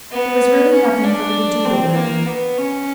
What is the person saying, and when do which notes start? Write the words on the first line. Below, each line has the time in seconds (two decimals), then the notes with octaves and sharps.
There was really nothing for her to do but wear them.
0.11 B3
0.73 C#4
1.04 D4
1.65 C4
1.95 A#3
2.26 B3
2.58 C#4